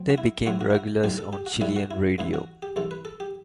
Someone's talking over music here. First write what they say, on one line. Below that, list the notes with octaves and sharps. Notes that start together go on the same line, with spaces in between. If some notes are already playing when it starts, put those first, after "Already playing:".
They became regulars on Chilean radio.
Already playing: F#3 C4
F#4
E4
A2 F#3 C4 E4 F#4
F#4
E4
F#4
B1 A2 G3 D4 F#4
A4
G4
F#4
B1 A2 G3 D4 E4
F#4
E4
C2 C3 E3 E4
F#4
G4
C2 C3 E3 A4
B4
A4
G4